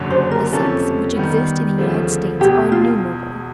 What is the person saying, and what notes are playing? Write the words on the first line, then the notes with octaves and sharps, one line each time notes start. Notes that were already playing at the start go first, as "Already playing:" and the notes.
The sects which exist in the United States are innumerable.
Already playing: F#1 F#2 D3 F#3
C5
A#4
F2 C3 F3 A3 C#4 A4
D#3 G3 B3
D2 C#3 F3 A3
E1 E2 B2 G4
F4